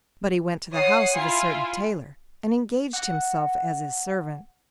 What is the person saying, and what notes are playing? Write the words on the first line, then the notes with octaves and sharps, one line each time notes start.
But he went to the house of a certain tailor, and engaged himself as his servant.
C#5 F#5 D#6 C7
E4 F4 G#5
F#4 F#5